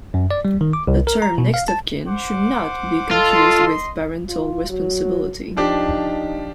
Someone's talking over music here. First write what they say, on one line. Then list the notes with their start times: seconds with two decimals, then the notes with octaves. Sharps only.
The term "next of kin" should not be confused with parental responsibility.
0.14 F#2
0.31 D5
0.45 G3
0.61 D#3
0.73 D6
0.87 C2
1.07 A#4
1.22 A#5
1.38 B2
1.54 F5
1.68 A5
2.07 C5 F#5 D6
3.11 F4 A4 D#5 C6
4.29 F4
4.70 F#3
5.57 F3 D4 D#4 G4